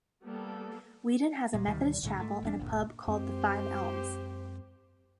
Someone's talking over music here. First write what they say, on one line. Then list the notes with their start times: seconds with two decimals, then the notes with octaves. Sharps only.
Weedon has a Methodist Chapel and a pub called the Five Elms.
0.23 G3 A#3 B3 A4
1.53 D#1 A#2 G#3
1.67 D2 B2 D#3 G3
2.03 B1 A2 D3 G#3
2.17 G#2 A3
2.43 F#1 F2 D4
2.59 G1 D2 A#2
3.08 F#2 G#3 C4 G4 C5